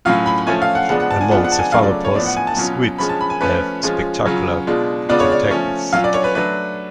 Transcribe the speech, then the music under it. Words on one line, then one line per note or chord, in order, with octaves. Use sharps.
Among cephalopods, squid have spectacular tentacles.
A2 F#3 C#4 F4 F5
B5
F3 A3 C#4 F4 G#5
F5
F#5
C#3 F3 G#3 B3 D4 F#5
F#5
A5
G#5
F3 G#3 B3 D4 F4 F#5
F#5
A5
G#5
C#3 F#3 A3 C#4 F4 F5
D5
C#5
A2 F3 B3 D5
F#5
G#5
A5
B2 F#3 C#4 F4
F3 G#3 C#4 B5
A5
B5
G#5
F3 A3 C#4 F4 B4
F3 G#3 C#4 F4
C#3 F#3 C#4 F4
B2 G#3 D4 F4
C#3 G#3 B3 D4 F4 D5
C#5
D5
F3 A3 C#4
F#3 C#4 F4 F5
D5
C#5
B4
F#3 A3 D4 B4